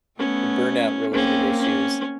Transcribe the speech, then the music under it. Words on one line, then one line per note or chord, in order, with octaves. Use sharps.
burnout related issue,
A3 B3 C#4
A#3 C4 C#4
C#4